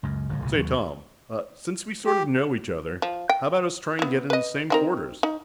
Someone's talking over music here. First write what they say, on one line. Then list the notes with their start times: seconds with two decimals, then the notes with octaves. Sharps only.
"Say, Tom--ah, since we sort of know each other, how about us trying to get in the same quarters?"
0.03 C#2 F#2
0.29 G1 C#2 A2
0.42 C2 A#2 C#3
0.57 D#2 F#3
2.06 G4
3.02 F3
3.30 G5
3.99 B3 E4
4.30 B4 D#5
4.70 C4 D#4 A#4
5.23 D#4